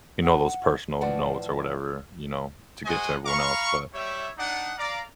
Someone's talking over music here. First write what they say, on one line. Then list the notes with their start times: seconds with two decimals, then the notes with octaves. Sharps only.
you know, those personal notes or whatever, you know, to get to everyone else, but,
0.23 F#5
1.01 A2 E3 F3 D5 F#5
2.85 G#3 F#4 C5 D#5 F#5 G#5
3.25 F5 A#5 B5 C#6
3.94 G3 C#5 E5
4.38 D4 D#4 F#5
4.78 D5 F5 A#5